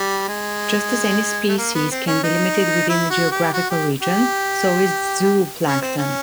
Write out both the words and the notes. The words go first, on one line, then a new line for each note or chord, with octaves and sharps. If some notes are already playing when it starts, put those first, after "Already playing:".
Just as any species can be limited within a geographical region, so is zooplankton.
Already playing: G3
G#3
A3
A#3
B3
C4
C#4
D#4
E4
F#4
G4
F#4
G4
G4
C#4
C4
C#4